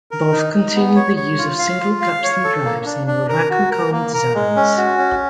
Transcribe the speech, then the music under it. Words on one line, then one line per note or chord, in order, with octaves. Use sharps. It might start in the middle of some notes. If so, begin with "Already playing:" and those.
Both continued the use of single capstan drives and were vacuum column designs.
A#4
D#4
D#4
B3
C#5
C#5
F4
F5
F4
F5
C#5
A4
A#3
D4
D4
A#4
F#4
A#4
A#3
A#4
G#3
C#4
F#4
C#4